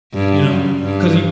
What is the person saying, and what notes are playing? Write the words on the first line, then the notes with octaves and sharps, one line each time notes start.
You know? 'Cause you
G2
F#2
G2